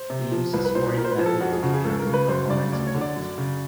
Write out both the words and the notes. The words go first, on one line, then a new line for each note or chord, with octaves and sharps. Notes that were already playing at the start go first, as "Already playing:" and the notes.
It used a scoring method to determine the performance of the user.
Already playing: C5
C3
F3
C2 B4
B4
A#2 C5
A#2 A#4
C5
B4
F3
A4
F2 F#4
G#4
C#3 F#4
G#4
C#2 A4
A#4
C#3
B4
F#2 C5
C#3 D5
D2 D5
C#5
D3
D5
F#2
C#3